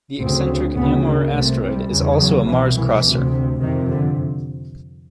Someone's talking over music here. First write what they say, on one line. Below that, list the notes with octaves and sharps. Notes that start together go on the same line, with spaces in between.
The eccentric Amor asteroid is also a Mars-crosser.
D2 C#3 C4
D2 C#3 B3
A#3
C2 C3 A3
G3
E2 C#3
F#3
C2 B2 E3
E3
D2 C3
F2 C3 D#3
D3